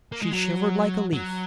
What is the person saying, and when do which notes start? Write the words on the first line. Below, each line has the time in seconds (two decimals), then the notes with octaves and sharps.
She shivered like a leaf.
0.12 A#3
0.22 G#3
0.32 F#3
1.13 F#3